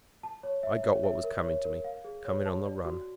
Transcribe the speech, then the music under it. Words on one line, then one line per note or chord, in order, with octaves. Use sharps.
I got what was coming to me--coming on the run.
A5
C#5
E5
C#5
E5
A#4
C#5
A#4
F5
G#4
C#5
A5
D5
F#4